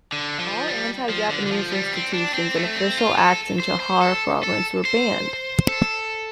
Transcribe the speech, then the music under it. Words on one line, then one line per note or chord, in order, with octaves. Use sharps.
All anti-Japanese institutions and official acts in Chahar Province were banned.
D3
F3
G3
F3
D3
D3
F3
G3
C4
D4
C4
A3
C4
F4
A4
C5
C5
A4
A4
C5
A4